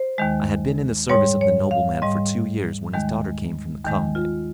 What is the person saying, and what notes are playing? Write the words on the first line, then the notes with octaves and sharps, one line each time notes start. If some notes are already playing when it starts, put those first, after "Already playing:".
I had been in the service of the nobleman for two years when his daughter came from the convent.
Already playing: C5
D#2 D#3 G#3
G#2 G3 C#5
C#5
F5
G#2 G3 D#5
D#2 D#3 G#3
D#2 D#3 G#3
F4